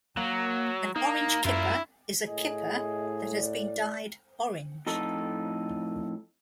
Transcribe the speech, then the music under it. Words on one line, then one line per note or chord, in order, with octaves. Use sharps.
An "orange kipper" is a kipper that has been dyed orange.
F#3 A#3
A#3 D#4 A#5
F#2 E4 F4 A#4
A2 G#4 D#5
D5
F2 A2 D#4 A4